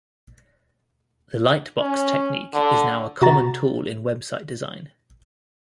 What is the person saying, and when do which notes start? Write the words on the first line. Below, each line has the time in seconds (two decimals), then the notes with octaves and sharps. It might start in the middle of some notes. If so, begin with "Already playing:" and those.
The Lightbox technique is now a common tool in website design.
1.80 C#4
2.54 D3
3.21 C3 F#4 A#5 A6